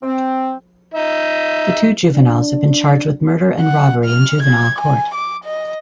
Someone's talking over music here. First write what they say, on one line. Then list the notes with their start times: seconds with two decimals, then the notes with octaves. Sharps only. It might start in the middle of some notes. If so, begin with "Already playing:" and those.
The two juveniles have been charged with murder and robbery in juvenile court.
0.03 C4
0.94 D#4 E5
2.14 D4
3.61 F#5
4.05 F6
4.43 G#6
4.81 G#5
5.14 D6
5.45 D#5